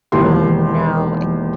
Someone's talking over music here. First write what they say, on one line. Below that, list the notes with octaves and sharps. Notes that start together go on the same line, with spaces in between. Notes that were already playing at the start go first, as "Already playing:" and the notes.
Oh, no, and
E1 D#2 E4 G4 C6